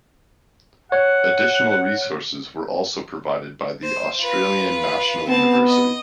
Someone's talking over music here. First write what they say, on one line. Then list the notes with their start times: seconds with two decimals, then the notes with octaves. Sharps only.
Additional resources were also provided by The Australian National University.
0.92 C#5 F#5
3.83 C5
4.19 F4 B4
5.28 B3 C4 A5
5.68 D#5